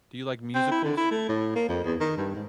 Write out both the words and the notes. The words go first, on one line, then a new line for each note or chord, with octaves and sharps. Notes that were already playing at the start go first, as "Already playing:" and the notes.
Do you like musicals?
C4
E4
D3
E4
A3
A2
A#3
F2
E2
D#3
G2
G#2